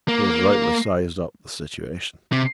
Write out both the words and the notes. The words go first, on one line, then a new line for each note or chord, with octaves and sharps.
He had rightly sized up the situation.
A#3
C3